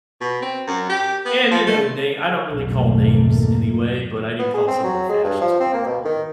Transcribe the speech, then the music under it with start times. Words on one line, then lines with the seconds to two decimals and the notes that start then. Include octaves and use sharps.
and, you know, na I don't really call names anyway, but I did call someone a fascist one time,
0.21 B2
0.42 C4
0.67 F#2
0.89 G4
1.26 B3
1.51 F3
1.67 A3
2.52 B1 F2 G#2 D#3 A3 A#3
4.39 B3
4.54 G#4
4.68 C4
4.84 F#3
5.09 G#3
5.24 G2
5.41 F3
5.60 C4
5.74 A#3
5.86 B2
6.05 D#3